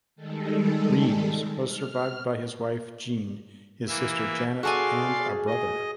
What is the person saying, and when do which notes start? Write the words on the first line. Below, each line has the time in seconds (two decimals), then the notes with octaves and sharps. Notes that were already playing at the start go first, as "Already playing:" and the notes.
Reems was survived by his wife, Jeanne, his sister Janet, and a brother.
0.16 D#3 G3 G#3 A4
1.64 F6
3.87 E3 A#3 E5
4.63 F#4 G#4 A4 D5 F5 G#5 C6
5.47 D#5